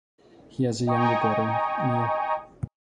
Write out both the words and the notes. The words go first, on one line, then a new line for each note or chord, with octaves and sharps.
He has a younger brother, Neil.
D#5 G5 G#5 A#5 C#6 D#6